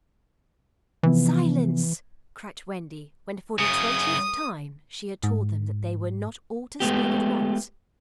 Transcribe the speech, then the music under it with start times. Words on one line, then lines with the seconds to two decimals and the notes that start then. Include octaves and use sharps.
'Silence,' cried Wendy when for the twentieth time she had told them that they were not all to speak at once.
1.03 C3 E3 F3 B3
3.59 F#2 C#3 D#6
5.24 G#2
6.80 G#3 A3 B3 G4